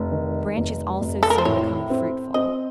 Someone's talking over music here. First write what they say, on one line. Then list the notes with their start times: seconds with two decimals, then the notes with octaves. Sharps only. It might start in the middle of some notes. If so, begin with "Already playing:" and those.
Branches also soon become fruitful.
Already playing: F1
0.12 D#3
0.56 F1
1.00 F1
1.23 A4
1.30 A#4
1.38 C5
1.45 A2 C#5
1.90 C4
2.34 C4 D#5